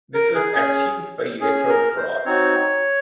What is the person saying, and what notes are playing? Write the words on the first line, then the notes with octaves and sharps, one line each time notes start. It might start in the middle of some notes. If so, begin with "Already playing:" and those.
This was achieved by electoral fraud.
A#4
G#4
C#4 G#4
C#4 G#4
A#4
C5
C4 D#4 F#4 C#5